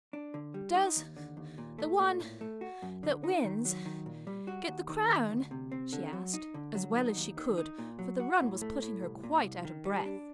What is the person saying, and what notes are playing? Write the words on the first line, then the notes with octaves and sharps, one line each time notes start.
'Does--the one--that wins--get the crown?' she asked, as well as she could, for the run was putting her quite out of breath.
D4
D3
G3
D#4
D#2
D3
D#2
A#2
A3
A#2
A2
A3
F#4
F#2
D3
D#4
D#3
F#3
D#3
A#2
G3
F#4
D#2
D#3
D#2
D2
C3
C4
D3
F#3
D#4
D3
F#3
D#4
D#2
D#3
D#4
A#2
F#3
F#4
A2
A3
A2
C2
A#2
C2
D#3
G3
D4